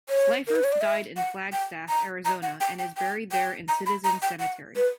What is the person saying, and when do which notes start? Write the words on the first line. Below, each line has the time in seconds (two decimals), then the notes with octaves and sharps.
Slipher died in Flagstaff, Arizona and is buried there in Citizens Cemetery.
0.09 C#5
0.47 A#4
0.56 B4
0.64 C#5
0.72 D5
0.81 E5
1.17 F#5
1.53 G5
1.89 A#5
2.25 A#5
2.42 F#5
2.61 G5
2.79 G5
2.97 G5
3.32 G5
3.68 A#5
3.86 B5
4.04 A#5
4.22 G5
4.40 F#5
4.76 B4